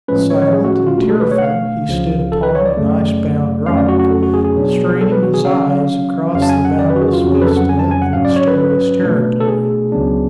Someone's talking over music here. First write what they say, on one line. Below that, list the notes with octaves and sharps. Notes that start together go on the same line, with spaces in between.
Silent and tearful, he stood upon an ice-bound rock, straining his eyes across the boundless vista of the mysterious territory.
A2 F3 G#3 C#4 B4
C#5
C#5
G#4
F#4
F#4
F4
B2 A3 D4 F#4
A4
B4
C#5
F#5
F5
C#2 C#3 F3
A4
B4
C#5
D5
F#2 C#3 F#3 A3
F2 C#3 F#3 A3 C#4 F5
D5
F#4
F#4
A4
F#4
G#4
G#4
B2 F#3 B3 D4
A4
B4
F#4
G#4
C#3 F#3 C#4 F5
F2 C#3 F#3 C#4 F5
A5
G#5
F#5
D5
B4
F#4
G#4
F#4
F4
F2 C#3 F#3 C#4 F#4
G#4
B4
A4
F#5
G#5
A5
G#5
F#5
G#2 F#3 C#4 F5
D5
C#5
B4
B4
B2 A3 D4
A4
G#4
C#2 C#3 F#3 B3 D4